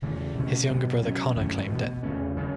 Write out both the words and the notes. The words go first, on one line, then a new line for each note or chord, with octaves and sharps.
His younger brother, Conor, claimed it.
E2 C#3 E3 A3
B2 A3 C#4
B2 F#3 B3
B2 F#3 C#4
F#2 E3 A3 C#4
B2 B3
E2 C#3 A3 C#4
C#3 F#3 A3